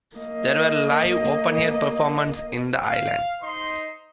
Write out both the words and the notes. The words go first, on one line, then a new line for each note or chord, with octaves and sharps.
There were live open-air performances in the island.
A#3 D#5
F5
D#4 C5 D#5 C6